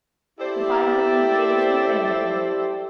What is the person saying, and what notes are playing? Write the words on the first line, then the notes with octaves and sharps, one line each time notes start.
The five hundred years were ended.
E4 G4 A4 C5 D5 E5